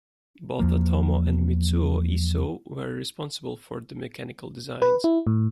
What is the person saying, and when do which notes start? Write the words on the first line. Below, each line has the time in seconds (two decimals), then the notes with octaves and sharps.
Both Otomo and Mitsuo Iso were responsible for the mechanical designs.
0.60 E2 F3 A#3
4.82 B4
5.04 E4
5.27 A2